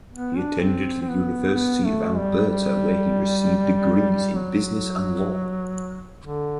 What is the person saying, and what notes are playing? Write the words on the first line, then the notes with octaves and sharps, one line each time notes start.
He attended the University of Alberta where he received degrees in business and law.
B3
D4
C4
C4
B3
B3
A3
G3
G3
F#3
D3